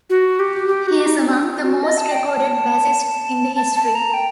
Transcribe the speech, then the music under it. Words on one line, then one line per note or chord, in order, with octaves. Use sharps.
He is among the most recorded bassists in history.
F#4
G4
G4
F#4
D#4
D4
F#4
D#5
A5
G5
A5
A5
A5
A#5
G5